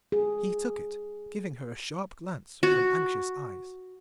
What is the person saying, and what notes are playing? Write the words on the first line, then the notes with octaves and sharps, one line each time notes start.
He took it, giving her a sharp glance from anxious eyes.
G#4
F#4